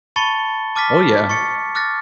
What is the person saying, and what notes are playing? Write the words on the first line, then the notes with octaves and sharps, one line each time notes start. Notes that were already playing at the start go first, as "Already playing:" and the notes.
Oh, yeah.
A5 B5 C#6 A6 C#7 G7
A5 D6 F6 A6 B6
C#6 A6 C#7
D6 F6 F#6 A6 A#6